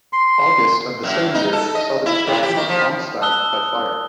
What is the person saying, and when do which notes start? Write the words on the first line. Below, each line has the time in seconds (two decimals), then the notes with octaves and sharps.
August of the same year saw the destruction of Halmstad by fire.
0.13 C6
1.03 F#2
1.34 D#4
1.53 A4
1.75 D#5
2.06 E4
2.27 A2
2.43 G4
2.56 D#3
2.69 F3
3.22 A5 D#6 E6 F#6 G7